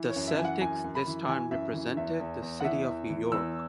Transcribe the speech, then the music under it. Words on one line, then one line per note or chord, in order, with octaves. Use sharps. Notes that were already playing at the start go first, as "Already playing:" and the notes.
The Celtics this time represented the city of New York.
Already playing: E3
C#5
F#2
E5
E3 G#5
F#5
F#2 G#5
F#2
B5
E3
E3 G#5
F#2 E5
E3
E2 E5
E2
E2
F#5
E3 E5
E2
E3
E2 E6